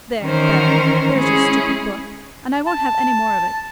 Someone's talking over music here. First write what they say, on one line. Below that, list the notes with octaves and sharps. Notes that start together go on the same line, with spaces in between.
There, Bell; there's your stupid book, and I won't have any more of it.
D#3 E3 C#4 A#4 C5
G#3 C#4 E4 G#4
A5